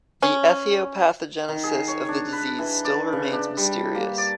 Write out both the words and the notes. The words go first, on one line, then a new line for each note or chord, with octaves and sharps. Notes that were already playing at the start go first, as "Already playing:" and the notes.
The ethiopathogenesis of the disease still remains mysterious.
C#4
D#3
G#4
C#5
D4
B4
E3
D5
C#3
D4
G3
A#3
D5